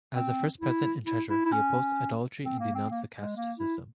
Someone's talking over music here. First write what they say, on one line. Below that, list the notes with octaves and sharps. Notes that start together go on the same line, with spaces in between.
As the first president and treasurer, he opposed idolatry and denounced the caste system.
C4
E4
E4
E4
E4
C#4
C4
A#3
C4
A#3
G#3
A#3
E4